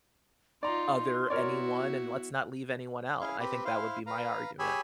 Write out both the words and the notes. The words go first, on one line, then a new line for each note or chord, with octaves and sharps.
other anyone, and let's not leave anyone out. I think that would be my argument.
D#4 F4 D5 A#5 C6
B3 E4 F#4 A#4 C#5 D5
C#4 E4 G#4 F5
C4 G4 B4
E4 C5 F5
B4 F5 A#5
G4 G#4 C#5 G#5 B5 E6